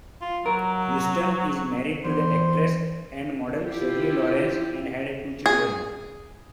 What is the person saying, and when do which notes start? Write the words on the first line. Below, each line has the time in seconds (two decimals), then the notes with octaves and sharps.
Houston is married to the actress and model Shirley Lawrence and had two children.
0.21 F4
0.46 F#3 A#4
2.04 E2 C5
3.63 E4 F4 G4
5.46 G#4